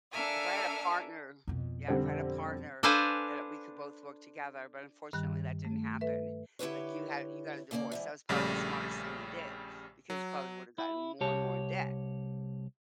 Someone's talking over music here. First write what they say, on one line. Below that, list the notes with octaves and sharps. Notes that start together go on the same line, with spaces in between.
If I had a partner Yeah, if I had a partner, that, uh, we could both work together, but unfortunately that didn't happen. Like, you had you got a divorce, that was probably the smartest thing you did, because you probably would have gotten more and more in debt,
D4 A4 A#4 E5 F5 G#5
F2 B2
D3 G3 C4
D4 A4 B4 C5 F5 G#5
G2 D#3 G3 F#6
A3
A4 B4 E5
D3 E4 G4 B4 C#5
D#2 C#3 A#3 A#4 D5
G#2 D3 E3
A#1 C#3 G3 A3
F#3
E4
C2 G4 C#5 A5